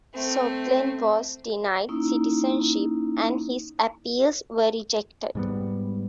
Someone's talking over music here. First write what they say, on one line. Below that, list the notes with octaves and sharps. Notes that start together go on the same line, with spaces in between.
Soblen was denied citizenship, and his appeals were rejected.
A3 C4
A#3 C#4 D#4 E4
G#2 G3 B3